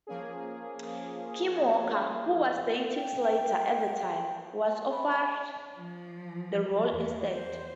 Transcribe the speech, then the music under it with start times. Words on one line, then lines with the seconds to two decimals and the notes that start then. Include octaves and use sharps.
Kim Walker, who was dating Slater at the time, was offered the role instead.
0.07 F3 A#3 C#4 G#4
2.97 G5
4.91 B5
5.77 F3
6.89 E2
7.31 C5